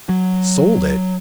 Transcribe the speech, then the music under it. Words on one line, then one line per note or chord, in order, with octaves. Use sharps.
Sold it!
F#3